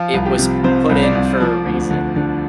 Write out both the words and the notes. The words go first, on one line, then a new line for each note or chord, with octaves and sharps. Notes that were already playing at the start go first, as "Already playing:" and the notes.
it was put in for a reason.
Already playing: F3 F4
C2
G4
C3
C3 C5
C2
D5
C2
F3
D2
D3
D3